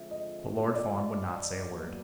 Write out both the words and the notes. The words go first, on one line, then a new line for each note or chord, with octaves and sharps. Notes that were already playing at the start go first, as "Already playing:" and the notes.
But Lord Fawn would not say a word.
Already playing: D3 F3 G#3 C4 F4 E5
D#5
D5
B2 F#3 A#3